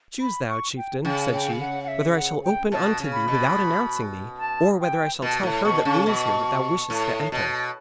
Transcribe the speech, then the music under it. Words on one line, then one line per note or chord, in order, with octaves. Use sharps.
'Choose thou, chieftain,' said she, 'whether I shall open unto thee without announcing thee, or whether I shall tell her that rules here that thou wishest to enter.'
B5
C#6
G5
C#3 G5
G5
F#5
F#5
E5
F#5
G5
B2 A5
C#3
B5
B2
A5
G5
B2 A5
A2
B2 C#6
C#3 C#6
B2
A2
B2